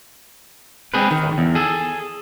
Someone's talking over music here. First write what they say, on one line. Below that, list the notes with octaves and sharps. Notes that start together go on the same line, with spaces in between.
Send for him.
C4 G#4 B4
D#3
E2
G#4 A4